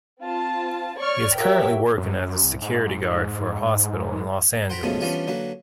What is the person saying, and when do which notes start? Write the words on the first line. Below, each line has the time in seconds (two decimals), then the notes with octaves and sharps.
He is currently working as a security guard for a hospital in Los Angeles.
0.21 C4 F4 A5
0.98 C#5 D5 C#6 F6
1.36 F#4 G4 A#4 C#5 E5 G5
1.98 F#2
2.44 C2
2.62 G#2
4.70 C5 F#5 G5 A#5 B5
4.83 F#2 C#3 F3 G#3 A3 B3
5.01 E3 F3 G3 B3 C#4 D4
5.27 D3 F#3 A#3 B4